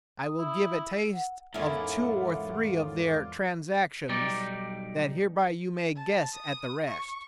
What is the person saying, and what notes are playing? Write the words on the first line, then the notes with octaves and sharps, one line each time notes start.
I will give a taste of two or three of their Transactions, that hereby you may guess at the rest.
D#6
E4
F#5
E2 G#2 C#4 E4 F4 A4 A#4 D5
B1 G3 D#4 D5
A5
D#6
C#6